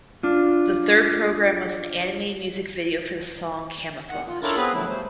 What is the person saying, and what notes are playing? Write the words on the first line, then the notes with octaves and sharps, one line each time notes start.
The third programme was an animated music video for the song "Camouflage".
D4 F4
E2 D#3 F#5
F4
C#4 D4 E4 F4 A4 A#4
B3 C4 G#4 B4
D3 F3 F#3 A3 E4
G3 A3 C5